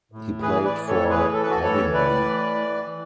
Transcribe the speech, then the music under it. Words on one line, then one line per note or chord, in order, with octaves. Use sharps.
He played for Headingley.
A2
E3 G#4 B4
B4 D5
A2
A4 C#5
E3
G#4 B4
E3 A4
B4
F#4 A4
A2 A4 C#5
A2 B4 D5
E3
E3
E3